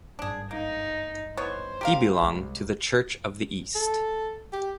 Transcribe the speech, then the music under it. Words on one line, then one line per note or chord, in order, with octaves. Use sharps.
He belonged to the Church of the East.
G#1 G2 D4 G#4
A#3 D#4
E3 B3 C5 C#5
G4 A#4 F5
C2 G#3
A4
G4